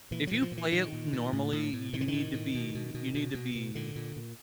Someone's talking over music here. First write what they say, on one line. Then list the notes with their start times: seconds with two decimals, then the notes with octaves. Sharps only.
If you play it normally, you need to be you need to be
0.11 A#2 E3
0.27 F#3
0.31 A#2 E3
0.42 F3
0.52 A#2
0.57 E3
0.72 A#2 D#3
0.93 A#2
1.13 A#2
1.33 A2
1.52 A2
1.73 A2
1.93 A2 D#3
2.01 D3
2.08 D#3
2.13 A2
2.33 A2
2.55 B2
2.75 B2
2.94 B2
3.14 B2
3.35 B2
3.55 B2
3.75 A#2 D3
3.96 A#2
4.16 A#2